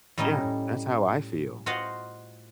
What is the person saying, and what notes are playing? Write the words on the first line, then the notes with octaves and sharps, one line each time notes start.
Yeah. That's how I feel.
A2 G3 C#4 D#4 D#5
F4 F#4 C5 D#5 F5 F#5